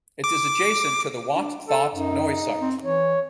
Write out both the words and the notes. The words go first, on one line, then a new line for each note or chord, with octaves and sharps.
It is adjacent to the Wat That Noi site.
D6
D4
A4
F#2 D#4
C4
E3 C#5